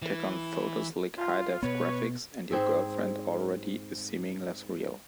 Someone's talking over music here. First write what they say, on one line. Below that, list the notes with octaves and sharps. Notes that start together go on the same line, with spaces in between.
Tack on photo-slick high-def graphics, and your girlfriend already is seeming less real.
E3
F4
B2 B3 B4 C#5
G#2 C4 G#4 E5